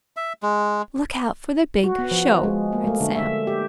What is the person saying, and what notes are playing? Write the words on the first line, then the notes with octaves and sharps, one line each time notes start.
"Look out for the big show," read Sam.
E5
G#3
F#4
B3
F3
G#3
A#3
A3
D3
E5
G4